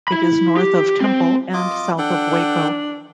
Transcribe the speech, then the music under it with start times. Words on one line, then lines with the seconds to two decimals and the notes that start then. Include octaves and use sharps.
It is north of Temple and south of Waco.
0.08 E4 B5
0.57 G4
1.00 C4 C5
1.54 F4 D#5 D6
1.98 D4 A4 F#5 G5